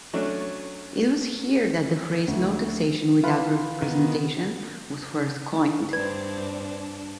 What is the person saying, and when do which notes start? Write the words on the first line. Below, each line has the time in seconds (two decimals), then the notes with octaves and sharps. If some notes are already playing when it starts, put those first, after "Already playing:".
It was here that the phrase "no taxation without representation" was first coined.
0.13 F#3 A3 C#4 D4
2.28 D2
3.23 E3 F4 B4
3.82 D#3 B3
5.93 G2 C4 D4 B4 D5 G#6